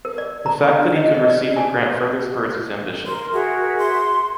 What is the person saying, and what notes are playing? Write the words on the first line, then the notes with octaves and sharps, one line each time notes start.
The fact that he could receive a grant further spurs his ambition.
A#4
D5
A#5
D4
D#5
D#5
D5
G#5
A#4 C6
F#4 G#4 A#4 E5
C6